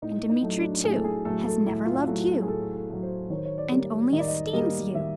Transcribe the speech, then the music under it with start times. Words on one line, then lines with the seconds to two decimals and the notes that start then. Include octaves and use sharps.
And Dmitri, too, has never loved you ... and only esteems you....
0.02 A2 D#4
0.30 D#4
0.43 F#3 A3
0.57 D4
0.84 A2 G#4
0.96 A4
1.04 G#4
1.25 F#3 A3 A4
1.46 A4
1.66 A2 E4
1.85 F4
1.93 F#4
2.07 F#3 A3
2.20 F#4
2.42 G#4
2.48 A2 A4
2.76 A4
2.90 F#3 A3
3.03 C5
3.30 D#3 C#5
3.37 C5
3.45 C#5
3.58 D5
3.72 G3 A#3
4.13 D#3 D#5
4.20 D5
4.28 D#5
4.53 G3 A#3 D#5
4.94 D#3 E5